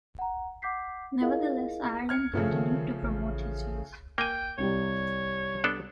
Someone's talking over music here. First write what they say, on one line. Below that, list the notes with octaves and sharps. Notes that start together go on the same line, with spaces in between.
Nevertheless, Ireland continued to promote his views.
F#5 A#5
F#5 D6 G6 B6 C7
E4 F4 G#4 A#4 D#5 F5
F6 G#6 C#7
G2 C#3 F3 A3
D#3
A1
A#3 G5 G#5 G7
C2 C3 G3 C#5
B3 D4 A4